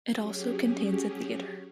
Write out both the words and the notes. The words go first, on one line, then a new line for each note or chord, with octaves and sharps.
It also contains a theatre.
F#3 C#4 G4 G#4